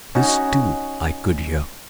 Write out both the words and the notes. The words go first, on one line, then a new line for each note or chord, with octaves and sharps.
This, too, I could hear.
C#4 D#4 F#4